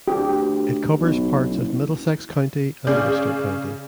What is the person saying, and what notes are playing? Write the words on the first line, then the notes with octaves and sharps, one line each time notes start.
It covers parts of Middlesex County and Worcester County.
D2 G4
B1
F#1
C#3 G#4 D5 G6